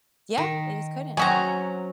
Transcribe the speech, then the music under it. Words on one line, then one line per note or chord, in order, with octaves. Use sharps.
Yeah. They just couldn't.
D#3
F#3 C4 C#4 F#4 G#4 A#5